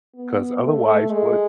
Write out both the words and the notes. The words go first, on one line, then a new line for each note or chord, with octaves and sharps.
'cause otherwise, what
B3
A3
G#3